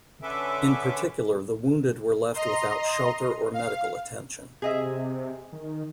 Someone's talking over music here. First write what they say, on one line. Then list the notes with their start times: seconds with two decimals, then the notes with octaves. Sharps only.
In particular, the wounded were left without shelter or medical attention.
0.22 D3 C#4 A4 B4 E5 D6
2.34 D#5 A#5 C6
3.54 F5
4.62 C3 G#4 D#5 E5
5.53 D#3